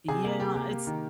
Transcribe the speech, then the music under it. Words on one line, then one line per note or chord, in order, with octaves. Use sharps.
Yeah, it's
C3 G#4
A#3 G#4
C3 G4
A#3 G4
A#3
D#3